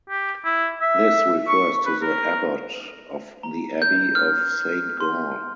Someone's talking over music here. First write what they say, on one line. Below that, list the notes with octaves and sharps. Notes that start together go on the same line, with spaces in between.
This refers to the abbot of the Abbey of Saint Gall.
G4
E4
E5
C#6
B4
A#4
A#5
G6
F6
C6